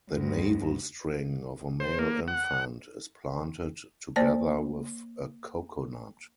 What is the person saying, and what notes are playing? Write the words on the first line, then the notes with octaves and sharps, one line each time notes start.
The navel-string of a male infant is planted together with a coconut.
D2 G2
C5
A#3
F#5
A#3 C5 D5 A5